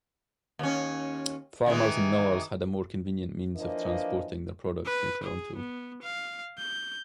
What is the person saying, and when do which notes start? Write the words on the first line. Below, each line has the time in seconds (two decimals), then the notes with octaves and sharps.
Farmers and millers had a more convenient means of transporting their products to Toronto.
0.59 D#2 C#4
1.66 D#3 E3 G#3
3.56 E3 F3 A#3 D4 D#5
4.85 B4
5.24 G#4
5.56 B3
6.02 F5
6.58 G6